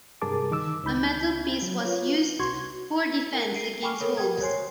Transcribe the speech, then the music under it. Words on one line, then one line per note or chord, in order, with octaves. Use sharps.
A metal piece was used for defense against wolves.
G2 C3 G#4 A#4 A5 D6
D#3 D6 E6
C#2 D#4 B5 G6
F#3
F4 B4 C#5
C2 F#4 C6 C#6 G#6
A#4 F#5
C7 D7 D#7
G5 G#5 B5 C#6 D6 F6
A4 A#4 C#5 G7
G4 A#4 F#5 G5 D#6 G#6
C5 C#5 G#5 C6 C7